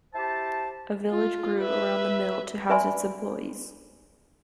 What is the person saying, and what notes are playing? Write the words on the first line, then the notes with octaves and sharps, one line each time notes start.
A village grew around the mill to house its employees.
E4 G4 C5 A5
F4
B4 E5
B4 D5 E5 G#5 B5 C6